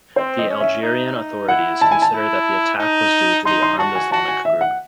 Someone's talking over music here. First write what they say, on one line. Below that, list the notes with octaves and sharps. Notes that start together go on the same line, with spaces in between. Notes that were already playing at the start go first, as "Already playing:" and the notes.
The Algerian authorities consider that the attack was due to the Armed Islamic Group.
C4 C5
D#5
C#4
E5
D#4
D#4
E4 F#5
A5
G#5
A5
E4
D#4
D#4 C6
C6
F#4 A5
G#5
F#4 A5
G#5
E5
F#5